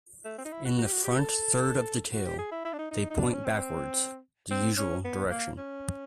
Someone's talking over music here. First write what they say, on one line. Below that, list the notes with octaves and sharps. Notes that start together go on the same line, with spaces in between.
In the front third of the tail, they point backwards, the usual direction.
A3
C4
D#4
E4
F#4
F#4
G4
F#4
G4
A4
F#4
G4
G#4
E4
E4
D4
D#4
D#4
D#4
D4
C#4
C4
C4
C#4
B3
A#3
C#4